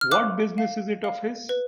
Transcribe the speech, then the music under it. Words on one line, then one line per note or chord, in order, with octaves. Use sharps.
What business is it of his?
F6
F5 D6 F#6
F5
F5
B4